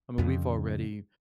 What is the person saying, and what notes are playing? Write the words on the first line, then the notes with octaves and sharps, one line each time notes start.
I mean, we've already
F2 C#3